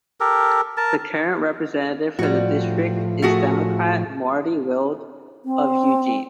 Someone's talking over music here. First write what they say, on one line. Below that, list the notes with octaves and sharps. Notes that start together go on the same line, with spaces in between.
The current representative for the district is Democrat Marty Wilde of Eugene.
G4 A4 A#4
A#4 A5
A2 F3 G3 F#4
A3 F#4 G#4
C4